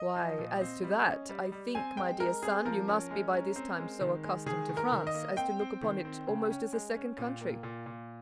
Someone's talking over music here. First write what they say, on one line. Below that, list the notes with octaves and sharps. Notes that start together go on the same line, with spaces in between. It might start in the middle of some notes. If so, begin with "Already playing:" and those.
"Why, as to that--I think, my dear son, you must be by this time so accustomed to France as to look upon it almost as a second country."
Already playing: D#5
F3
A#2
C4
G3
C#4
G3
G3
C4 G#5
G#3 G5
G#3 A#4
C4 G#4
F3 A#4
C#4
G#3
C#4
C4
G#3
D#3
G#3
D#3 G#4
D#3
A#4
D#3
D#5
A#3
C4 G5
C4
D#3
C4
C#3
C#4
G#3
C#4
A#2
A#3
A#2
A#2